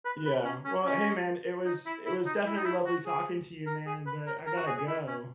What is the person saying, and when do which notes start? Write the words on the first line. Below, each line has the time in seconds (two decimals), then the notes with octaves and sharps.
Yeah. Well, hey, man, it was it was definitely lovely talking to you, man, but I gotta go.
0.05 B4
0.25 B4
0.44 C#4
0.65 C#4
0.85 C#4
1.65 D#4
1.86 E4
2.06 E4
2.26 D#4
2.46 E4
2.56 D#4
2.66 E4
2.86 F#4
3.06 G#4
3.66 A#4
3.86 G#4
4.06 B4
4.27 A#4
4.47 A#4
4.56 F#4
4.66 G#4
4.77 G#4
4.87 E4
5.07 C#4